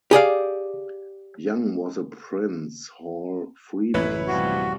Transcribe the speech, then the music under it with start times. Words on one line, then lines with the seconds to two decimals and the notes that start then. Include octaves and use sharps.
Young was a Prince Hall Freemason.
0.11 G4 G#4 D5 F5
3.94 A1 F#2 E4 B4 C#5
4.27 C3 F3 G3 F#4